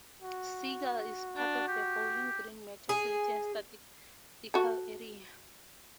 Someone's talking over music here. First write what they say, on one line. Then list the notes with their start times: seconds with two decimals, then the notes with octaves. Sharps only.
Segal is part of the Bowling Green Metropolitan Statistical Area.
0.22 F#4
1.37 D4
1.68 G4
2.89 G#4
4.54 F#4 A4